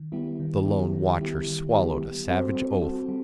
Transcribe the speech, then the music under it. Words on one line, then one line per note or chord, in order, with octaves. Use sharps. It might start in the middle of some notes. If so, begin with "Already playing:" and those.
The lone watcher swallowed a savage oath.
Already playing: D#3
G3 B3 E4 G4
D#3
G3 B3 E4 G4
D#3
G3 B3 E4 G4
D#3
G3 B3 E4 G4
G3
C4 F#4 A4 C5
G3
C4 F#4 A4 C5
G3